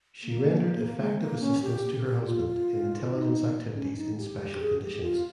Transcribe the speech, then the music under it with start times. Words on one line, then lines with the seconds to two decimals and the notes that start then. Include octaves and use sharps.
She rendered effective assistance to her husband in intelligence activities in special conditions.
0.24 A#3
0.56 A#3
0.77 A#3
0.98 G#3
1.19 A#3
1.41 C#4
1.62 G4
1.83 G4
2.05 G4
2.26 F4
2.47 F4
3.11 D#4
3.75 C#4
3.96 D#4
4.18 G4
4.38 G4
4.60 G#4
4.82 G4
5.03 F4